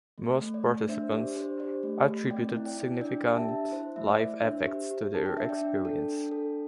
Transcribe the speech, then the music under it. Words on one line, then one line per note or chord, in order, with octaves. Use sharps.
Most participants attributed significant life effects to their experience.
A3
A3
D5
A3
D4 C5 E5
G4 D5
D4 C5
G4 D5
A3
A3
C4 D5 G5
E4
D5 G5
E4
D4 D5 G5
G4
E5 A5
D4
E4 C5
A3 E5
D5
E4
D4 C5 E5
G4
G4
D4 A5
G5
D4 E5
D5 G5
D4
A4
D4
A4